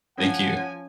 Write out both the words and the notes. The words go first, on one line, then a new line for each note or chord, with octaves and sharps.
Thank you.
F3 C#4 F#5 G#5